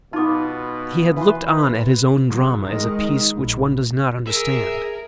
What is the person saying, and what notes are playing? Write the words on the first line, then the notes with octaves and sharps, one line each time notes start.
He had looked on at his own drama as a piece which one does not understand.
B2 B3 D#4 F4 D6
E3 B4 C6
C#3 F#3
D#3 G#3
A#1
G#4 A#4 E5